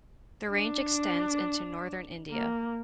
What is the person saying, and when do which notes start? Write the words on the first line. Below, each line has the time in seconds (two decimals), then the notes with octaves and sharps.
The range extends into northern India.
0.52 D4
2.30 A#3